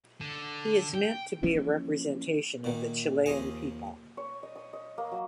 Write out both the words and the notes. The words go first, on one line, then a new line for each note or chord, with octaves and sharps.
He is meant to be a representation of the Chilean people.
D3
G5
E3 F3 A#3 C#4
A#2 D#3
D#2 F3 D#5 G#5
C#5
D#5
D#6
D#5
A#3
F#3